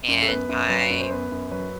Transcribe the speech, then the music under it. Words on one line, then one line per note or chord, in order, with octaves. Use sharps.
And I
F#2
A4
B3 B4
F#2
F#3 B4
F#2
C5
B3 B4
F#2
F#3 B4